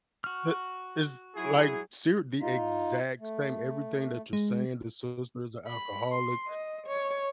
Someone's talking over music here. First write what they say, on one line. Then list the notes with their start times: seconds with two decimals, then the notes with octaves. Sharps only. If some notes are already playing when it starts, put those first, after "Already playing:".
the is, like, ser the exact same everything that you're saying, the sister's an alcoholic,
0.24 F#4 F6
1.35 F#3 E4 G#4
2.40 D#4 F4
3.20 A3
4.33 G#3
5.67 B5
6.12 C6
6.48 D#5
6.87 C#5